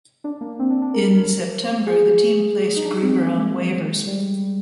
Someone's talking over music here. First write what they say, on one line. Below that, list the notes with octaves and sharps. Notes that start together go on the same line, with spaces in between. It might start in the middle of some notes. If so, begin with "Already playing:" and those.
In September, the team placed Gruber on waivers.
D4
A#3
C4
D4
D4
A#4
C5
G#4
D#4
D4
D4
C4
A#3
G#3
G3